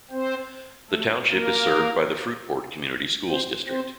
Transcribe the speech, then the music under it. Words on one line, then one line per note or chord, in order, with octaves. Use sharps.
The township is served by the Fruitport Community Schools district.
C4 C5
A3 A4
A#3 A#4
C4 C5
C4 C5